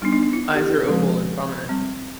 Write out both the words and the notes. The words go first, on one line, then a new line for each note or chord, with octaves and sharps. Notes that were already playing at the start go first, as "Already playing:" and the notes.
Eyes are oval and prominent.
G3 B3 D4 D#4
D4
D4
E4
G4
G4
A4
F3 G#3 C4 B4
G3 C4